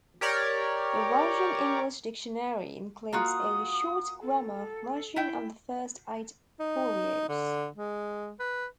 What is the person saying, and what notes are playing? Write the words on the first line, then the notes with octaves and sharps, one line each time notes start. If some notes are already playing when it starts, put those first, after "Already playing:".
The Russian-English dictionary includes a short grammar of Russian on the first eight folios.
G4 A#4 C#5 D5
A#3 F4 F#4 D#6
A4
E4 G5
D#4
D3
G#3
B4